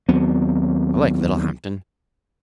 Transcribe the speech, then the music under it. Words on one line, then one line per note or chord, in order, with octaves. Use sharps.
I like Littlehampton.
D#2 F#3 B3 C4